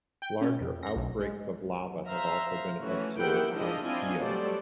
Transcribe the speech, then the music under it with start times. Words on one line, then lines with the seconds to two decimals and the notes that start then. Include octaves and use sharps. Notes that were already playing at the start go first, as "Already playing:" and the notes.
Larger outbreaks of lava have also been observed on Io.
0.22 G5
0.41 C#4
0.61 F2
0.83 A#6
0.96 B1
1.19 G#3
2.09 C5 E5 F5 A#5
2.82 E3 A3 C#4 F#4
3.18 D#3 A#3 E4 G4 F#5 G5
3.54 F3 G#3 D4 E4 F4 D#5
3.86 C4 D4 E4 F4 D#5 G#5
4.18 F#3 G3 A3 A4 C5 D5